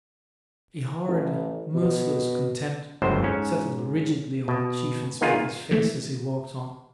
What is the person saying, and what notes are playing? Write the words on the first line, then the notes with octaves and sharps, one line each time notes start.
A hard, merciless contempt settled rigidly on the Chief Inspector's face as he walked on.
A1
B2
G1 C#2 F#2 A2 C5
G#2 C#4
B2
D#3 A#3 B3 D#4 F4 G#4
E3 A3